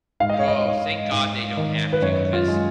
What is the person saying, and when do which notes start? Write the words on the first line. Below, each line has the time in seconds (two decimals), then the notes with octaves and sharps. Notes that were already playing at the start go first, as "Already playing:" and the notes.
Duh, thank God they don't have to 'cause
0.20 G#2 F5
0.29 D#5
0.39 C#5
0.48 D#5
0.65 G#2
1.12 G#2
1.57 D#3
1.93 B4
2.02 F#2 C#5
2.33 F4
2.48 G#3